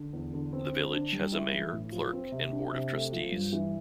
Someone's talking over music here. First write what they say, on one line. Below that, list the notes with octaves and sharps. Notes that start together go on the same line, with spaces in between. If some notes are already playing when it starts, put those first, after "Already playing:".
The Village has a mayor, clerk and board of trustees.
Already playing: D3
E2
D3
C4
D3
D4
G3
E4
E3
A2
F3
C4
C3
D4
C3
A3
F3
G2
E3